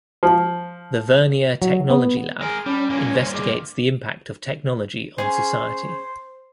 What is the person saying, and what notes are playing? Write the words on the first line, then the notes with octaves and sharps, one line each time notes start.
The Vernier Technology Lab investigates the impact of technology on society.
F3
F#3
B3
G#3 G#4 A#4 F6
G3 C#4 A5 B5
G2 A#3 C#5 G#5
C5
G#4 D#5 C6 D6
C#4 G#4 C5